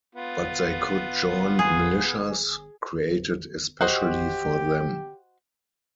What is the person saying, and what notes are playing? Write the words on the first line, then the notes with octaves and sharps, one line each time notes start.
But they could join militias created especially for them.
B3 F4
G#4
F#4 G4 C5 D#5